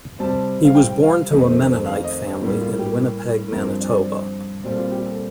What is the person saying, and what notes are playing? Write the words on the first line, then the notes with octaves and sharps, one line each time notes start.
He was born to a Mennonite family in Winnipeg, Manitoba.
C3 G3 C4 A5
F5
G5
F5
F2 D#3 A3 C4 D#5
F5
D#5
A2 G3 A#3
F4
G4
G2 F3 C4 A#4
D5
A#2 G3 C4 A4
F4
G4
A4